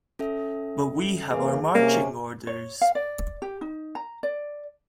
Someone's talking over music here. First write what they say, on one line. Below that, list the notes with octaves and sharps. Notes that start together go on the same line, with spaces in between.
But we have our marching orders.
C#4 A4 E5
E3 A#3 C#4 G#4
C3 A#3 C#4
C#5
F5
D5
G4
D#4
A#5
D5